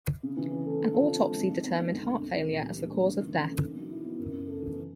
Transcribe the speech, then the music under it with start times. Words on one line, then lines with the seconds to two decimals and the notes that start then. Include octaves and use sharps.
An autopsy determined heart failure as the cause of death.
0.23 C#3
0.37 E3
0.51 C#4
0.66 A3
0.80 D3
0.94 F3
1.08 C4
1.22 G#3
1.36 C3
1.50 D#3
1.65 B3
1.79 G#3
1.93 D2
2.07 C3
2.20 D2
2.35 E3
2.49 A#2
2.63 G3
2.77 D4
2.91 A#3
3.06 C#3
3.20 E3
3.33 C#4
3.48 A3
3.61 D#3
3.75 F#3
3.90 E4
4.04 B3
4.18 F#2
4.33 C#3
4.47 A3
4.61 E3